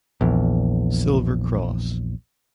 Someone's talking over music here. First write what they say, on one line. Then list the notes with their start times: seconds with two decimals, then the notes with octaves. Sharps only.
Silver cross.
0.21 A#1 E2